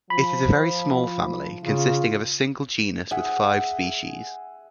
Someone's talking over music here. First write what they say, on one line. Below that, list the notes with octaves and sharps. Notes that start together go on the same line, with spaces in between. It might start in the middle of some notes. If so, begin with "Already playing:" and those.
It is a very small family, consisting of a single genus with five species.
F3 B5
C#3 F4
G#4 E5 F#5